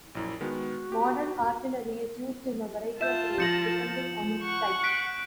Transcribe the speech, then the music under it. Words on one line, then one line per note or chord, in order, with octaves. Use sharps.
Modern artillery is used in a variety of roles, depending on its type.
A#1 F#2 E4
D#3 G#3 B3 F#4
G4
F4 E5 A5 G6 E7
F3 G6 A#6 C#7 F#7
F#5 C#6
F#6 B6 D7